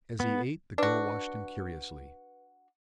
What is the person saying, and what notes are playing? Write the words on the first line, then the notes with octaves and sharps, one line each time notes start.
As he ate, the girl watched him curiously.
B3
D4 F#4 B4